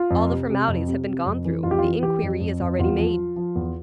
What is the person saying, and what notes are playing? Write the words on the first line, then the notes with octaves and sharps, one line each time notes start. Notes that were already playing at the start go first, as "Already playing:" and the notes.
"All the formalities have been gone through; the inquiry is already made."
Already playing: F4
F2
C3
C3
F2
C3
C3
F2
E3
F2 F4
G4
F4
E3
E3 G4
F2
F2
F2
E2 F4
F3
F3
F3
E2